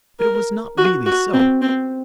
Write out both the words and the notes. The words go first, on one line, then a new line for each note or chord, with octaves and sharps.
But it was not really so.
A#4
F#4
F#4
C4
C4